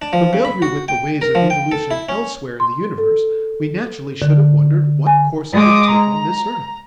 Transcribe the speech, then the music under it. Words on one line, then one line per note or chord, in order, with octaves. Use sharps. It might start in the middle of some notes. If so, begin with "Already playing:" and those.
Familiar with the ways of evolution elsewhere in the universe, we naturally should have wondered what course it would take on this earth.
D4
F3
C#3
B5
F#4
G5
A#4
F3
G5
A4
E4
C#4
C6
A4
D3
G#5
G#3 D6 D#6
A#5